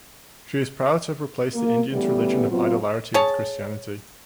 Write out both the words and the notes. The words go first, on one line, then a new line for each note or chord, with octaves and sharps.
She is proud to have replaced the Indians religion of idolatry with Christianity.
A#3
C#3 E3 G3 A3 B3
C3 F#3 B3 C4 F4
G#4 C#5 A5